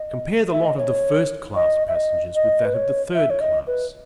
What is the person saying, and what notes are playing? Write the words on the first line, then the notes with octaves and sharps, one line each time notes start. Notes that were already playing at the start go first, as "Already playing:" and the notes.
Compare the lot of the first class passengers with that of the third class.
Already playing: D#5
E5
D#5
C#5
D#5
E5
D#5
D#5
B4
C#5
E5
C#5
D#5
B4